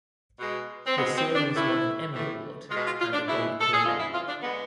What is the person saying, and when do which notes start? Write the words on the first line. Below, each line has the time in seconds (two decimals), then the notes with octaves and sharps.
The series won an Emmy Award and a Golden Globe Award.
0.40 B2 G#3
0.86 C4
0.97 G#3 B3
1.01 B2
1.17 C4
1.35 D4
1.55 A2 E3 A3 E4
2.13 A2 E3 A3
2.70 B2 G#3 F4
2.84 F4
2.99 F4
3.13 D4
3.27 B2 G#3 E4
3.61 A4
3.73 G#4
3.85 F2 D3 G#3 F4
4.00 E4
4.13 F4
4.28 D4
4.43 D3 G#3 B3